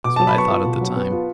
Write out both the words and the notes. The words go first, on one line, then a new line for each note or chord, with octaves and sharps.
That was what I thought at the time.
B2 D6
F#3 A5
B5
B3 C#6
F4
B2
F#3
B3
F4